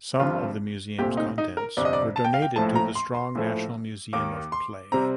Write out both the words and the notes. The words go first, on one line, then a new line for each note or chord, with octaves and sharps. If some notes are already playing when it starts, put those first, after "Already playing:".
Some of the museum's contents were donated to The Strong National Museum of Play.
G1 G2 F3 C4 F4
C2 A#2 A3 C4 G4
D#4
D#4
A#4
G1 F2 C3 D5
D#5
D5
A5
G5
F5
G5
A#1 A2 F3 A3 A5
A#5
C6
C6
A#1 A2 F3 A3
D#2 D#3 A#3 D6
C6
C3 G3 C4 A#5